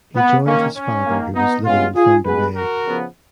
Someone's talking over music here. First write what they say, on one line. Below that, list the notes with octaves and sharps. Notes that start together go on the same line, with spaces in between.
He joined his father who was living in Thunder Bay.
B3
D#3 A#3 C#4
C#4
D#3 A#3
B3 D#4
C#3 G#3 B3 C#4 F4
F4 G#4
B2 G#3 B3 G#4 B4
F#4 A#4
C#3 F3 B3